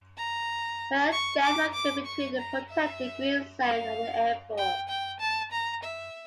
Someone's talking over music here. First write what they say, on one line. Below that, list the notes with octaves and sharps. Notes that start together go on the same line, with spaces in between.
Her death occurred between the protected Green Zone and the airport.
A#5
C#6
D6
D6
C#6
A#5
E5
F5
G5
G5
A5
A#5
E5